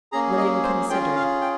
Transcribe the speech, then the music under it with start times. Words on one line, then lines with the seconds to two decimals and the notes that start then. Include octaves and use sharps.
William considered.
0.12 A#3 C#4 G#4 A#5
0.37 D#5
0.64 C5
0.90 C#4 F4 G#4 G5
1.16 F5
1.41 G5